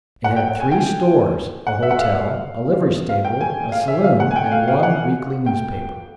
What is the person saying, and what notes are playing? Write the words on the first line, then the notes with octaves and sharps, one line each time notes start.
It had three stores, a hotel, a livery stable, a saloon, and one weekly newspaper.
F#5
G5
G5
G#5
G5
F#5
E5
F#5
F5
F5
G5
G#5
F5
E5
F5
F#5
G#5
G5
F5
F5
F#5
G5